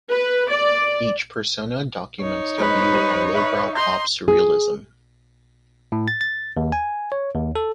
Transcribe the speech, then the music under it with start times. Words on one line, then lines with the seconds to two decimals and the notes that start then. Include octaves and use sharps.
Each persona documents their view on Lowbrow Pop Surrealism.
0.11 B4
0.51 D5
2.20 D#4 C#5
2.58 G#3 B4 C5 D#5
2.93 G3 C5 D#7
3.34 B4 E5 C#6
3.75 D#5 A#5 C6 G6
4.28 G#4
5.92 A2
6.08 A6
6.21 A6
6.57 D#2
6.72 G#5
7.12 C#5
7.35 D#2
7.55 A4